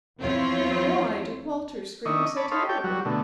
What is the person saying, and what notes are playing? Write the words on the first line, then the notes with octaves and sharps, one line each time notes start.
'Why did Walter scream so terribly?'
E2 F3 C4 E4 F4 C#5
D#3 D4 E4 D#5 C#6
C#5 D5 A5 B5
D#4 A4 C5 C#5 F5 B5
G4 A4 C#5 G5
F#3 G3 F#4
B2 D3 A3